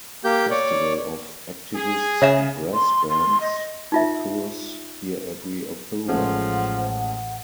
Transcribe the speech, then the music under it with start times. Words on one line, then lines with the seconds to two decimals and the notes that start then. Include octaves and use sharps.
Festival of activist brass bands occurs here every October.
0.24 A#3 G4 G6
0.50 C#5 D5
1.75 G#4
2.22 C#3 C#5 E5 E7
2.74 C6
3.09 C6
3.41 D#5
3.92 D#4 F4 E5
6.08 A1 F3 G#3 A3 C#4 F#5